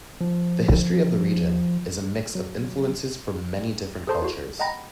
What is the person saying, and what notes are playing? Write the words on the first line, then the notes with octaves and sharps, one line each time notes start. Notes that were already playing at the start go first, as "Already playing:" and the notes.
The history of the region is a mix of influences from many different cultures.
F3
F#3
G#4 A4 C5 A5 C6
E4 F#4
D#5 F#5 G5 A#5 B5 A#6